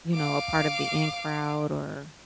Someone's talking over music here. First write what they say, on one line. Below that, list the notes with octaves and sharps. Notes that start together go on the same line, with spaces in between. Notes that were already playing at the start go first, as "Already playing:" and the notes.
you know, a part of the in crowd, or
F5 D6